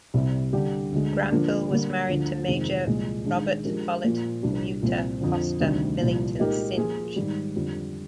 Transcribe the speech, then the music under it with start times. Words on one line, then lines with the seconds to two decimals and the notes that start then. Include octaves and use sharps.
Granville was married to Major Robert Follett Muter Foster Millington Synge.
0.14 C2 C3 G3
0.53 D3 G3 D4 G4
0.92 D2 D3 G#3
1.31 D3 F3 A#3 D4
1.70 D3 G3 A#3
2.08 D2 D3 F3
2.47 F2 C3 D#3 G#3 C4
2.86 C2 A#2 F3 G#3
3.25 D#3 G#3 D4
3.65 F3 G#3 D4 G4 A#4
4.04 A#2 F3 A#3 F4
4.43 C2 A#2 G3 A#3 D4
4.82 C2 A#2 F3 C4
5.21 F2 D3 F3
5.60 D2 C3 D#3 G3 D4
5.99 C2 A#2 F3
6.38 A#2 G#3 D#4 G4 A#4
6.77 F3 A#3 F4 G#4
7.16 G#2 D#3 G3
7.55 F2 D3 G3